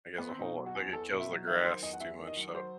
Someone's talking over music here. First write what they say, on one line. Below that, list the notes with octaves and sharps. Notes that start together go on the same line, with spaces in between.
I guess a whole like, it kills the grass too much, so.
B3
C4
B2 D#4
F#3
F#4
E2
E2 A4
B2
E5
F#3
D#3 E5
F#3 C5
E2 D#5
F#5
E2 E5
D#3
D#5
F#3
F#3 C5